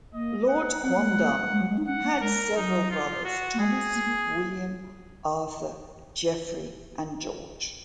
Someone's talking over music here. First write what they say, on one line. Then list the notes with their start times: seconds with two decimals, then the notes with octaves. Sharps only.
'Lord Quondam' had several brothers: Thomas, William, Arthur, Geoffery and George.
0.14 A#3 D#5
0.48 F#5
0.83 C4 F#5
0.95 A#3
1.09 G#3
1.22 A#3
1.52 G#3
1.61 F#3
1.69 G#3
1.78 D#4
1.87 C#4 F#5
2.04 A#3
2.21 G#3 A#4
2.56 F#3 D#4
2.91 F4
3.25 F#4
3.54 A#3
3.59 G#3 G#4
3.95 A#3
4.05 A#3